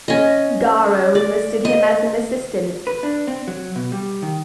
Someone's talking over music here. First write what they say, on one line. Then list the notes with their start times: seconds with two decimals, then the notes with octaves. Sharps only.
Garrow enlisted him as an assistant.
0.08 C#4 D#5
1.15 D5
1.65 D#5
2.87 B4
3.03 D4
3.27 C4
3.48 F#3
3.76 B2
3.92 G3
4.22 D#3